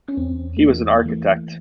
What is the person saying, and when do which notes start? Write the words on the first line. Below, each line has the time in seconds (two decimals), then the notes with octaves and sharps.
He was an architect.
0.08 C#4
0.17 E2 C4
0.57 A3
0.62 E3 A#3
0.95 A#3
1.05 E3 A3